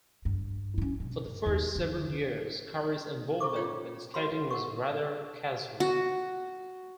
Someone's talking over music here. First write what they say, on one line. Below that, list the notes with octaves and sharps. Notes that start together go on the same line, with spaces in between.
For the first several years, Curry's involvement with skating was rather casual.
G2
C#4 E4
G2 B2
D#2
D3 D#3
E4 A4 C5 C#6 D6
C#4 F4 C#5 G5
F#4 B4 C#5 F5 B5 C6
A#4 F#5 C#6
F#4